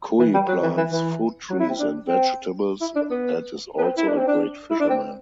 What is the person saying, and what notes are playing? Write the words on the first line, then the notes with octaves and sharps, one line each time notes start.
Kui plants food trees and vegetables and is also a great fisherman.
E3
G3
F#3
E3
E3
E3
F#3
E4
C4
D4
C4
E4
D4
B3
B3
C4
E4
D4
C4
D4
E4
D4
C4